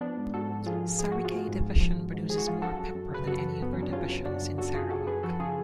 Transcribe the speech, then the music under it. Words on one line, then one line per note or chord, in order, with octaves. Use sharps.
Sarikei Division produces more pepper than any other divisions in Sarawak.
F3 B3 D4
G#2
G#2 F#4 A4
G#2
F3 F4 G#4
F3
F3 G#4
F3 F#4
F4 G#4
F3
G#2
G#2
F3
G#2
G#2
F3 G#4
F#4
G#2 F4 G#4
F#2 F#4 A4
F#2
F#2
C#3 B4
F#2 F#4 A4
F#2
F#2 B3
F#3 C#4
D4
C#3 C#4 F4
F#3
F#2 D4 F#4
F#2
F#3 F#4 A4
F#2 F4 G#4
F#3 F#4 A4
F#2 G#4 B4
F3 F#4 A4
C#3 F4 G#4